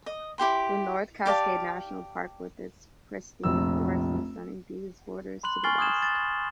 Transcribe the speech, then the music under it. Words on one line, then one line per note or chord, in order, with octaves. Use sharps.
The North Cascades National Park-with its pristine forests and stunning views-borders to the west.
D#5
E4 G4 G5 C6
G4 D5 F5 A5
F1 A#1 E6
B5 C6 F#6 F#7
G#5 C#6 F6 A6 C7 G7
D#6 F#6 G#6 E7
A6